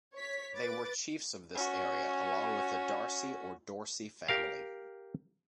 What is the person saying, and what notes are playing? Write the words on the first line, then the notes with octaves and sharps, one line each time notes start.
They were chiefs of this area along with the Darcy or Dorcey family.
C#5 B6
B4 D6 A6
C#4 F#4
G4 A#4 F5